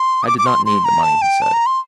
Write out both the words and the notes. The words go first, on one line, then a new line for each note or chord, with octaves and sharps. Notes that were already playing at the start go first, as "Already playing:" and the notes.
"I did not need the money," he said.
Already playing: C6
D#6
D6
D6
C6
C6
A#5
A5
G5
A5
A#5
C6